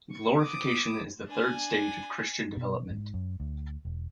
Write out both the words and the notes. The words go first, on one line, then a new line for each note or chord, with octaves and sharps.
Glorification is the third stage of Christian development.
C#6
D6 D#6
D4 G#5
B2
G#2
F#2
D2
E1